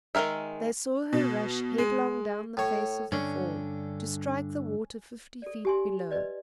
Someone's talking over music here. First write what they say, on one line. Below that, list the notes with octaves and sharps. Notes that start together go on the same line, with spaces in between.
They saw her rush headlong down the face of the fall to strike the water fifty feet below.
D#3 G#3 D4 A#4 E5
B2
G#3
A2 C#5
G2 D3 C#4 D4
A4 D5
G4 G#5 C6
B4 D5 D#5